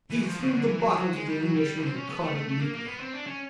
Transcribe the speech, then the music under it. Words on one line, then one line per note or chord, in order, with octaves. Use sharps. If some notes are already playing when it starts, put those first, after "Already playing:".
He threw the bottle to the Englishman, who caught it neatly.
E3
F#3
F3
C#3
D#3
D3
E3
F#3
F3
F#3
G#3
G3
F#3
G3
B3
C4
C#4
B3
A3
A3
A3
A#3
A#3
B3
C4
D4
C#4